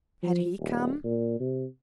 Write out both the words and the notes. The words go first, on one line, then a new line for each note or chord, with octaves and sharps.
Had he come?
F3
D#1
A#2
C3